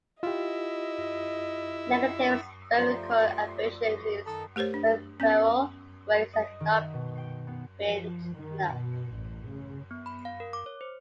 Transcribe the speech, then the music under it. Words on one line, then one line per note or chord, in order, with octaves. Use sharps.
"Negative" spherical aberration means peripheral rays are not bent enough.
E4 F4 G4 D#5
F3 G3 A3 C5 D5 A#5 C6
D#3 A4 A#5 D#6
A3 G4 A#4 C5 C#5
D4
B3 C#4
D#5
D#3
B2
G5
B3
F3
D#3
B2
A1
C#3
B3
B5
F5
A#4
D6
C#5
C5